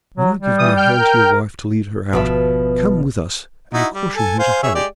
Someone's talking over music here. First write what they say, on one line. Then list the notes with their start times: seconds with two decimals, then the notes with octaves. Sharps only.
When I give my hand to your wife to lead her out, come with us--and caution her to hurry.
0.17 F#3
0.39 G3
0.59 E3 D#6
0.77 G5 F6 G6
0.97 A#4
2.13 G#1 B2 F3 F#4 B4 E5
3.74 D#4 E4 F#4
3.94 G3
4.16 A4 G#5
4.39 C5 F5 G#5
4.63 G#4 C#5 E5
4.75 G#3 G4 D5